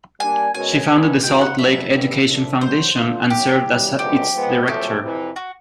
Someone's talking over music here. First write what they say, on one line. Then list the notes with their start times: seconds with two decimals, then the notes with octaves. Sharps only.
She founded the Salt Lake Education Foundation and served as its director.
0.20 G3 A#3 D4 G#5
0.55 B2 G#3 C#4 F#4 A#4 G#5
0.89 C3 D#3 G3 B3 D4
1.23 G#3 B3 D#4 F#4 G5
1.41 F#5
1.58 F2 C#3 F#3 B3 E5
1.92 G2 D3 G3 B3
2.27 F#2 D3 F3 A#3 D4
2.61 G2 D#3 F#3 C5
2.96 E3 A3 D4 F4
3.30 F#2 D#3 F#3 G4
3.65 F#2 C#3 E3 G3
3.99 F#2 D3 F3 G#3 B3 G4
4.33 F3 G#3 B3
4.68 F#2 C#3 F3 A3 G4
5.02 F2 C3 E3
5.36 F#4